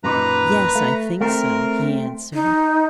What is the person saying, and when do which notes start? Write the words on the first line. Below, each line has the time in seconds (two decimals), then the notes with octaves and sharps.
"Yes, I think so," he answered.
0.04 F#2 A#2 D#4 B4 A#5
0.75 A3
1.21 A3 C4 A#4
2.34 D#4